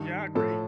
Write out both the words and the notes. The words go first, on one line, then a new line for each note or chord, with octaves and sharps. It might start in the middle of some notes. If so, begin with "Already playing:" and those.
Yeah, I agree.
Already playing: G2 D#3
A2 F3 A4